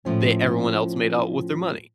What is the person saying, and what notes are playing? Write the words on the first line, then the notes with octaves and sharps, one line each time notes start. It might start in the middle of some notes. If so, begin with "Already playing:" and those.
They everyone else made out with their money.
A2 F3 C#4